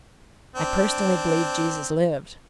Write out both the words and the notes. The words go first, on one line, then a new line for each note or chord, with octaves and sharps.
I personally believe Jesus lived.
C4 D4